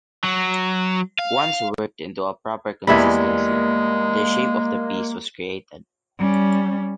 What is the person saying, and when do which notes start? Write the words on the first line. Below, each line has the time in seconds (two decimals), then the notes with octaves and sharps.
Once worked into a proper consistency, the shape of the piece was created.
0.24 F#3
1.19 F5
2.87 E2 G3 G#3 A#3 E5 G#5 B5
6.18 G3 C#4